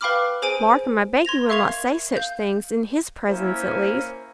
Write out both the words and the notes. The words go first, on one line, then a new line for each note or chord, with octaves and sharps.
Markham, I beg you will not say such things, in his presence, at least.
B4 F5 G5 B5 D6 F6
G#4 C5 G#5 D7 D#7
C6 G#6 A#6 F7
A#4 E5 F5 C#6 G#6 F7
F5 G6
A#3 C#4 E4 C5